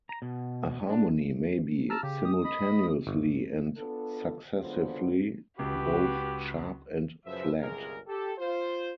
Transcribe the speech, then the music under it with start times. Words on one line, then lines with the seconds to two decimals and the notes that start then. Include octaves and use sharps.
A harmony may be simultaneously and successively both sharp and flat.
0.09 A#5
0.22 B2
0.90 D4
1.90 A5 A#5 E6 F6
2.03 C#3 G4
2.25 D#6
2.44 D#5 B5
3.07 G1
3.77 B3 D4 F4 A4
4.60 D3 F#3 G#3 B3 F4 C5
5.59 C#2 F#4 G4 B4
7.26 F#2 C#3 F3 B4 C5 E5
7.60 G1 C#2 C3 G#4 A#4
8.08 G4 A4
8.38 F4 C5